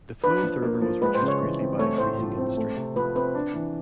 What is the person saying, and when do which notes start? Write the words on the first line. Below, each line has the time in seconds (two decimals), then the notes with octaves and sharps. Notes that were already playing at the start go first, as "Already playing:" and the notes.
The flow of the river was reduced greatly by increasing industry.
0.24 D4 B4
0.43 F3
0.62 A#3
0.82 F3
1.02 G#3 B4
1.14 C5
1.21 C#3
1.28 C#5
1.41 E3
1.60 C4
1.79 A3 C#5
1.98 A2 C5
2.19 F3
2.38 C4
2.57 A3
2.76 C3
2.96 F3 B4
3.15 C4 B4
3.35 D4
3.54 E3